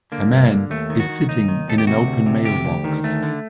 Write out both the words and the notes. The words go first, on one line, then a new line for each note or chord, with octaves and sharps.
A man is sitting in an open mailbox.
D3 A#3
G2
D3
D#2 A3
D#3
F#4
D#3
D#2 D#4
D#3
D#2 A4
G4
C3 F#4
D2
C3
D2 G4
D2
D#3
D2 A3
D3